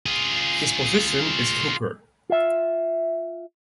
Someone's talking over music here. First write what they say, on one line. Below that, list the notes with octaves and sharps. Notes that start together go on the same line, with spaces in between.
His position is hooker.
F4 G#4
F4 E5